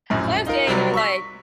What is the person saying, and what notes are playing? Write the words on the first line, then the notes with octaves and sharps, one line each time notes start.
So I was standing there like,
A#1 F#2 A2
D#4 F4 A#4
C3 F#3 G3
C#6 E6 B6